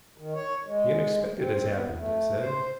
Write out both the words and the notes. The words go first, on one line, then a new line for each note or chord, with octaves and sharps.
"The unexpected has happened," I said.
D#3
C#5
G#3
C4
B3
D#2
A3
C5